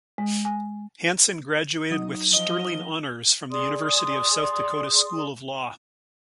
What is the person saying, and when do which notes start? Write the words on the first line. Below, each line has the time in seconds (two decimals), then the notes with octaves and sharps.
Hansen graduated with "Sterling Honors" from the University of South Dakota School of Law.
0.18 G#3
0.45 G#5
1.91 F#3 D#4 D#6
2.33 F3 D#5 G7
3.51 G#4 D5 C6 D#6